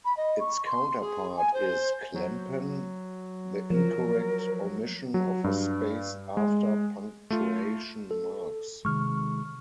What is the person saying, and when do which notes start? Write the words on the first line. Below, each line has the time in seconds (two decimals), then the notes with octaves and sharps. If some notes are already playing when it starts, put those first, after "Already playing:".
Its counterpart is Klempen, the incorrect omission of a space "after" punctuation marks.
0.05 B5
0.17 D#5
0.40 C#6
0.66 C6
1.01 G#4
1.37 G#5
1.54 C5
2.14 F#3
3.70 F3 A#4
5.14 F#3
5.44 G2
6.37 G#3
7.30 A3 F4
8.11 A4
8.85 C3 D#3 G#3 C#6 F6